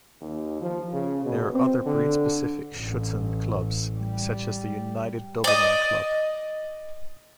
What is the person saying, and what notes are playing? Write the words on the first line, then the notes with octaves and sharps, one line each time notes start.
There are other breed specific Schutzhund clubs such as the United Doberman Club.
D#2
F3
C#3
B2
C4
D3
A1
G3
D5 D#5